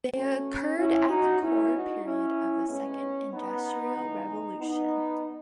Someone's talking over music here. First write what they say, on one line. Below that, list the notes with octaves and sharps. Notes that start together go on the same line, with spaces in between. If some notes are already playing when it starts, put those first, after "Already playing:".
They occurred at the core period of the Second Industrial Revolution.
B2 A3 C#4
C#4 E4
D#4 F#4
A2 G#3 B3 C#4 E4
D#4 F#4
C#4 E4
A2 G#3 B3 C#4
B3 D#4
C#3 E3 G#3 B3
B3 D#4